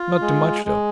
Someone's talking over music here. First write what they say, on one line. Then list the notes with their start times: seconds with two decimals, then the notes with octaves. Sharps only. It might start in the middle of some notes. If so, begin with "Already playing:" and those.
Not too much, though.
Already playing: F4
0.21 G#3
0.65 G#3